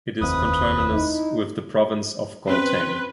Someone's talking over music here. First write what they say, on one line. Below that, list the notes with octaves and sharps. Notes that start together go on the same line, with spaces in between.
It is conterminous with the province of Gauteng.
F1 D#2 C4 B4 D#6
D#4 E4
C4 C#4 B4 C6